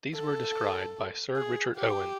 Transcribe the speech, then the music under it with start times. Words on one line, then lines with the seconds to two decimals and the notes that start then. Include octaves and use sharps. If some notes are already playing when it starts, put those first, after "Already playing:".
These were described by Sir Richard Owen.
0.15 A4
1.36 G#4
1.76 G4